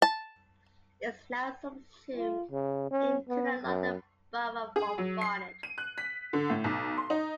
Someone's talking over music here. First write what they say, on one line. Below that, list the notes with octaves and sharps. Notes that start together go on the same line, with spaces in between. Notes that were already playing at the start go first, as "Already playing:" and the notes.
It is now subsumed into the London Borough of Barnet.
A5
F4
C#3
C#4
B3
F#2
G#4
F#3
C7
D#7
F#6
B6
D3
A2
B1
C6
D#4